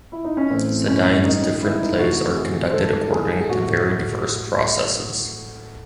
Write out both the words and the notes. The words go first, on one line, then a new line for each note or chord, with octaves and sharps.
Sedaine’s different plays are conducted according to very diverse processes.
E4
D#4
C#4
A2 E3 A3 C4
C#4
D#3 G#3 D#4
D#4
E4
D#4
C3 E3 A3 F#4
G#4
C5
D#3 G#3 A4
G#4
G#4
A2 F#3 A3 F#4